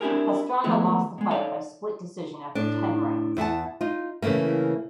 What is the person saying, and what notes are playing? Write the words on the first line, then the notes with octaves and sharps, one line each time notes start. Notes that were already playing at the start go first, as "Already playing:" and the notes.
Pastrana lost the fight by split decision after ten rounds.
C4 D4 E4 G4 G#4 A#4
D#3 F3 G#3 A3 B3 E4
B2 G#3
D#4 A4 C#5 D5 F5
A2 D4
E2 E4 F#5 A5
D#4 F4
C#3 E3 F#3 A3 A#3